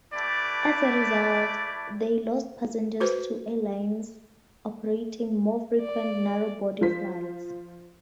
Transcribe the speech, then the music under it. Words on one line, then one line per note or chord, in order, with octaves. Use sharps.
As a result, they lost passengers to airlines operating more frequent narrow body flights.
A3 E4 G4 B4 D5 A5
F#4 B4 C5
D5
F3 F4 C5 B6